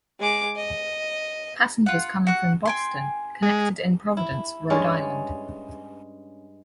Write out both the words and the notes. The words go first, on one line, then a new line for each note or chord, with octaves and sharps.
Passengers coming from Boston connected in Providence, Rhode Island.
G#3 D6
D#5
F4 F#5
F#4 F#5
G5 G#5 C6
G#3
E4
G2 G#3 C#4 D5